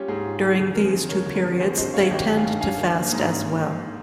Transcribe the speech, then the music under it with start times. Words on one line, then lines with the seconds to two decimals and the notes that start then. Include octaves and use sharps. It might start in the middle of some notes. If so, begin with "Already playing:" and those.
During these two periods, they tend to fast as well.
Already playing: G3 C#4 F4 G4
0.08 G#2 G#4
0.25 F4
0.42 G3
0.59 G1 G#4
0.75 F2 A#4
0.84 G#4 C5
0.93 D#3
1.09 G1 A#4 C#5
1.26 G1
1.34 A#4 C#5
1.44 F2
1.60 G#1 G#4 C5
1.77 G2 C5 D#5
1.94 F3 C#5 F5
2.11 G#1 D#5 G5
2.28 G#1
2.36 F5 G#5
2.44 G2
2.61 C#4 F5 G#5
2.78 D#3
2.95 A#3
3.12 G#2
3.29 C#4